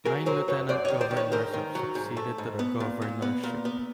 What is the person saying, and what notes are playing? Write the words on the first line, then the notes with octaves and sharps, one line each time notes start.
Nine lieutenant governors have succeeded to the governorship.
F#3 G#4 A#4
F#3 A#4 C5
F#2 B4 C#5
F#2 C5 D5
C#5 D#5
D#3
C5 D5
D#3
B4 C#5
G#2 A#4 C5
D#3
F#3
G#2
A3
G#2
B3
A#2
A#2
B3
A#2
B3